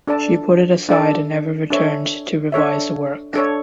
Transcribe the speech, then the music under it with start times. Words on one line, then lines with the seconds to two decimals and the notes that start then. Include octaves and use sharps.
She put it aside and never returned to revise the work.
0.07 D4 A4 D5 A5
0.89 D4 A4 D5 A5
1.70 D4 A4 C#5 E5
2.52 D4 A4 C#5 E5
3.34 D4 A4 C#5